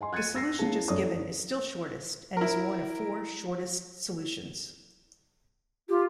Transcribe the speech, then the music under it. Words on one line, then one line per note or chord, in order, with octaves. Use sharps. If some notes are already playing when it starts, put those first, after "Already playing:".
The solution just given is still shortest, and is one of four shortest solutions.
D#5 G#5 C6
F#6 G#6 A6 C#7 D#7
E6 A#6 C7
A#3 C#4 E4 G#4 A5
F#2 E4 A4 C#5 D5 D#6
E4 A#4
F4 G4